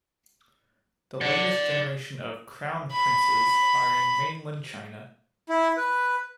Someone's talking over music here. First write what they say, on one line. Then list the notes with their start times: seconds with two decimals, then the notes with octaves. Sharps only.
The latest generation of "crown princes" are in mainland China.
1.21 D5 F#5
2.93 B5
5.49 E4
5.77 B4